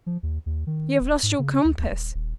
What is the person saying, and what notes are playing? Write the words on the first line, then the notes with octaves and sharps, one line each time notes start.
You have lost your compass!
F3
D#2
D#2
D#3
D#1
G#2
C#3
D2
D2
D#1
D#1